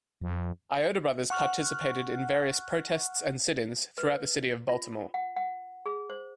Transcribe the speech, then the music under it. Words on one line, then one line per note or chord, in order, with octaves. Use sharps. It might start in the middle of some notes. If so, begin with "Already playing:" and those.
Iota brothers participated in various protests and sit-ins throughout the city of Baltimore.
F2
F#5 C#6 F6 F#6
B4
F4
F#5
F#5
G#4
C5